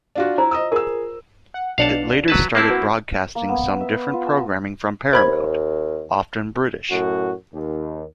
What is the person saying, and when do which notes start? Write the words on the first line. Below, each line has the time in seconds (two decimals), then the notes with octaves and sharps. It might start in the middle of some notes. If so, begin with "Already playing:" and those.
It later started broadcasting some different programming from Paramount, often British.
0.15 D4 F4 F#4
0.38 E4 F4 C5 A#5
0.51 D#5 D#6 E6
0.72 F4 G#4 A#4 E6
1.54 F#5
1.78 B1 B2 D4 F5 F#5 A5
2.28 F#3 B4 A5
2.55 A#3 C4 E4 A5 F#6 C7
2.70 F#4 B4
3.35 A#3
3.49 B3
3.81 E5
4.13 F4
4.27 A5
5.13 D#2 C5 B5 G#6
6.91 F#2 A2 F#4
7.53 D#2